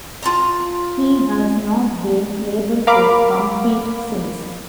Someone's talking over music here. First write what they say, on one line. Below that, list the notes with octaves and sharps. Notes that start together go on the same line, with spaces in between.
He has not been able to compete since.
F4 A5 A#5
A#4 F5 B5 D6